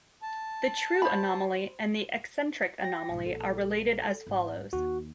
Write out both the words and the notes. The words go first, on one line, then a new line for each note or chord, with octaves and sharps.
The true anomaly and the eccentric anomaly are related as follows.
A5
C5 B5
G5 A#6
B1 G#2
A#1 A4
G#1
D#2 F#4